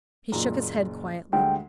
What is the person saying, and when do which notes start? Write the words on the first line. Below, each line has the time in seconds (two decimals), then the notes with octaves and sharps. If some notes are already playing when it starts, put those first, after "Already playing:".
He shook his head quietly.
0.32 F#1 A#2 A#5
1.33 D2 G3 G#3 G5